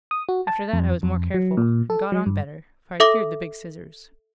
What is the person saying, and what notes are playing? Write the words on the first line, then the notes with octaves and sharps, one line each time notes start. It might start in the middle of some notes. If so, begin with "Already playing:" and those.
After that I was more careful, and got on better, for I feared the big scissors.
D#6
F#4
A5
F2
F2
F#3
A#2
A4
F#3
G2
A4 E5 D6 A#6 G7